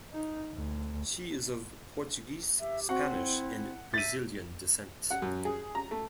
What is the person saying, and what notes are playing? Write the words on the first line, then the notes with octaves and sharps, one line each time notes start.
She is of Portuguese, Spanish, and Brazilian descent.
D#4
D2
G4 E5
C4 F#4 F#5
E4
E5 A6 D#7
F#5
F#2
G#4
A#5
A3